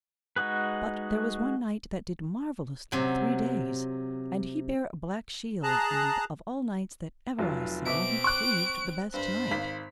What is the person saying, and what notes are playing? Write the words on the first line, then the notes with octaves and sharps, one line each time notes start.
But there was one knight that did marvellously three days, and he bare a black shield, and of all knights that ever I saw he proved the best knight.
G#3 D#4 F#4 G#4 B4
C3 F#3
G#4 A5 A#5 F#6
F1 F#3 F4
B2 C4 E5 D6 D7
C#6 D6 F#6
G2 C5 B5
G#1 F5 B6